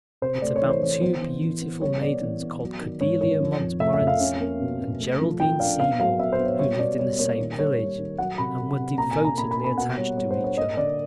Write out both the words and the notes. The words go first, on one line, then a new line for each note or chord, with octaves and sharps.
It's about two beautiful maidens called Cordelia Montmorency and Geraldine Seymour who lived in the same village and were devotedly attached to each other.
C3 C5
A3 D5
C#5
E3
C5
E3 C#5
B3 C5
E3
E3
B3
G3 C#5
B3 D5
E3
B3
F#3
D#3
G#2 C#5
D#3 C#5
F3
F2
A3 E5
E5
F2
F5
C#4
A#3
B2
B2
A3
F3
F3 G5
D4 F5
B3 F5
F#3 F5
B3 E5
C5
B3
C#5
G3 C#5
B2 D5
G3 C#5
A#3 C#5
D#3
G3 C#5
G3
D#3
F#3 F#5
C3 B5
C3
C3
A#2 A#5
G#5
D4
A#5
A#2 B5
B5
B3
B5
B2 F#5
G3 C#5
G3 C#5
C5
D4
C#5
A#3 D#5
D3 D5